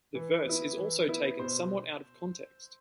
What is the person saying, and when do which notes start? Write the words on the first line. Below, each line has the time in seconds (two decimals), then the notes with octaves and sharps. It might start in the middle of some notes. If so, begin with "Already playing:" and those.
The verse is also taken somewhat out of context.
0.15 E3
0.45 B3 E4
0.77 E3
1.08 B3 E4
1.39 B2 C5